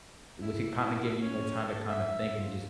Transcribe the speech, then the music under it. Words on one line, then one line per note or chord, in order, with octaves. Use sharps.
Which it kinda give you more time to kinda think and just
E4
C#4
A4
E5
F4